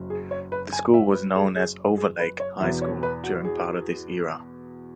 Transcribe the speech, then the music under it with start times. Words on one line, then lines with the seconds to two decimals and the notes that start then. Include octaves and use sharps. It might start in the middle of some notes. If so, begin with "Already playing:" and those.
The school was known as "Overlake" High School during part of this era.
Already playing: F#1 F#3
0.10 G#4
0.31 C#5
0.52 B4
0.73 G#5
0.94 E5
1.14 B4
1.36 G#4
1.56 G#4
1.98 G#4
2.19 B4
2.40 C#5
2.61 E2 B2 B3 E5
2.82 C#5
3.03 B4
3.24 F#4
3.45 G#4